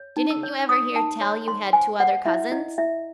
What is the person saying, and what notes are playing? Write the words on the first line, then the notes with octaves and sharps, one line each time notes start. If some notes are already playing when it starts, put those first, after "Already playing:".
"Didn't you ever hear tell you had two other cousins?"
Already playing: C#5
D#4
E6
C#5
C#5 D#6
D#4 A5
C#5 C6
C5 C6
C5 G#5
C5 F#5
E4 E5
E4 D#5
E4 E5